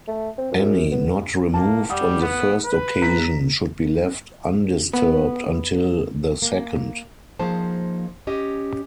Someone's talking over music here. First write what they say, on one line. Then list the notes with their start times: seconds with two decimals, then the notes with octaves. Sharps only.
Any not removed on the first occasion should be left undisturbed until the second.
0.08 A3
0.38 C4
0.51 F#2
0.92 B3
1.54 A#3 A5
1.90 G3 F#5 D#6
2.21 B3
2.65 B4
3.02 A#5 B6
4.93 B3
6.42 A#3
7.39 F3 A#3 D#4 G#4 C5 A5
8.27 C#4 G4 D#5